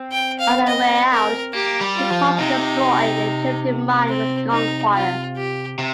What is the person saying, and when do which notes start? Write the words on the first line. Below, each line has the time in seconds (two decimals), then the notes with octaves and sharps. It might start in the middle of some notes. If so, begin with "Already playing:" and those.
On the way out, she paused to destroy a drifting mine with gunfire.
Already playing: C4
0.12 G5
0.39 F5
0.67 D#5
1.11 A#4
1.53 A#3 G4
1.81 G3
1.96 F4
2.10 F3
2.38 C3 D#4
4.08 C4
4.51 D#4
4.94 F4
5.37 G4
5.79 C3